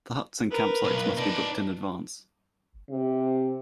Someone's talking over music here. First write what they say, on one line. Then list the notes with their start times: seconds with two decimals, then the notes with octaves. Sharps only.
The huts and campsites must be booked in advance.
0.51 A#4 B4
0.84 B1
1.17 D#4 B4 D5 A5
2.90 C3